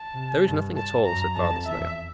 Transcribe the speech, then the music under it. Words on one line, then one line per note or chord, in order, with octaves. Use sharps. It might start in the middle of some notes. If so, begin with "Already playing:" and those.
"There is nothing at all," said Father Snail.
Already playing: A5
C3
G2
A5
F#2 A#5
F2 A5
E2 E5